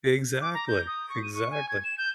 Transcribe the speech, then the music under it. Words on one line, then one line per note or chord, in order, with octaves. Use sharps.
Exactly, exactly.
D6
A#5
G6
D#6
C#6
D#7
C#6
G#5
G#6
E7
G6